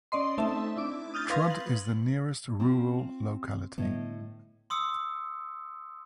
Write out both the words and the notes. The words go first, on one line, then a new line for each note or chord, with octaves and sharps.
Trud is the nearest rural locality.
C#4 D5 D#5 C6
A3 C4 D#4 E5 A5
D4 E4 D6
D#6 F6 G6 A6
B4 F5 C6 G#6 A#6
F#7
C4 F4
A2 D3 G3 B3 D#5
C6 D#6 E6 C#7